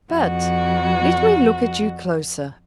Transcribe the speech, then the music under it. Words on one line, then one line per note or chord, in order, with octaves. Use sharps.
But let me look at you closer.
F2 F#4